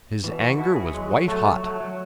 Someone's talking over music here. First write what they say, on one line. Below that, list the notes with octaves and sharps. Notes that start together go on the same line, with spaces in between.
His anger was white hot.
B2 E3
F#4
B2 E4
G#4
F#3 G#3
F#3
F#3 A3
F#3
F#3 A3
F#3